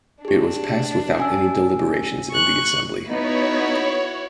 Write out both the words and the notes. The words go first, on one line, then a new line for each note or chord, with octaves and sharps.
It was passed without any deliberations in the assembly.
D4 G4 G#4
C#4 G#5 E6
C#6 F#6
B3 D#4 E4 F#4 C#5